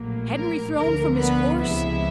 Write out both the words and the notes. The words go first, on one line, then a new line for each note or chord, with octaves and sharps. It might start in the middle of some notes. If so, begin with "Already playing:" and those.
Henry thrown from his horse?
Already playing: A#1 A2 F#3 A#3
A#4
D2 D3 F3 A#4
B3 B4
C#2 C3 F3 G#3 B3 E4 E5